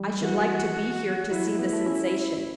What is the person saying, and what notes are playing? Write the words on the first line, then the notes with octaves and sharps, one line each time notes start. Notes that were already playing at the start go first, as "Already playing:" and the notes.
I should like to be here to see the sensation.
Already playing: E3 G3
E3 F#4
F#3 E4
A3
B3
A3
C#4